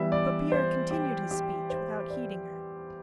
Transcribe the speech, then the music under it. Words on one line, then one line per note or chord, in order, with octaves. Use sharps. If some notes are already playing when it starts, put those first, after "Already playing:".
But Pierre continued his speech without heeding her.
Already playing: E3 G3 B3 E5
D5
C5
G4
G4
C5
D5